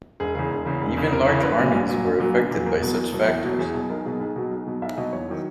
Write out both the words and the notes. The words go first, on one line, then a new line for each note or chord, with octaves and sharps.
Even large armies were affected by such factors.
E1 G#4
E2 C#3 G#4
E1
E2 C#3
E1
E2 C#3
E1 A#4
E2 C#3 C#5
A#1 B4
A#2 F#3
A#1
A#2 F#3
A#1
A#2 F#3
A#1
A#2 F#3
E2 A#4
B2 F#3
E2
B2 F#3
E2
B2 F#3
E2 G#4
B2 F#3 G#4
B1 A#4
B2 F#3 G#4
B1 G#4
B2 F#3
B1
B2 F#3
B1 E5
B2 F#3 D#5
E2 C#5
D#3 F#3